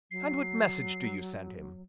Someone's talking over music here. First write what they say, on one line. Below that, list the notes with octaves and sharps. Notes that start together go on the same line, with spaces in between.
"And what message do you send him?"
F#3 C7